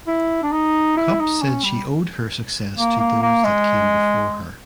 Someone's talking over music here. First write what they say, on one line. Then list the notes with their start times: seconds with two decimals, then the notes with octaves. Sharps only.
Cupp said she owed her success to those that came before her.
0.07 E4
0.43 D4
0.52 D#4
0.97 E4
1.20 D#4
1.42 C#4
1.64 G3
2.77 A#3
3.00 A#3
3.22 A#3
3.44 G#3